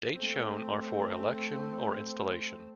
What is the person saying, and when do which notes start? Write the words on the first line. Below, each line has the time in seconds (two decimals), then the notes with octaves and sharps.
Dates shown are for election or installation.
0.14 A3 C4